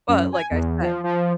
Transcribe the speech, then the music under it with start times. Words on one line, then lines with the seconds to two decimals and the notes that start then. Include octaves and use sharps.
But like I said,
0.08 F#2
0.33 G#5
0.51 E2
0.82 F3
1.04 F3